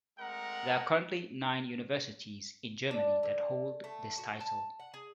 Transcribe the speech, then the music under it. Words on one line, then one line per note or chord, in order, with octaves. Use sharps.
There are currently nine universities in Germany that hold this title.
G#3 A3 C4 A#4 F#5 A#5
D4
D3
A3
F#4
A5
F#5
G#4